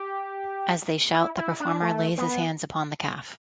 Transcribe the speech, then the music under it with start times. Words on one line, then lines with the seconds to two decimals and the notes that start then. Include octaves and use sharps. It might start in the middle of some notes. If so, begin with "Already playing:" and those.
As they shout, the performer lays his hands upon the calf.
Already playing: G4
1.13 E4
1.37 E4
1.60 D4
1.82 A3
2.18 B3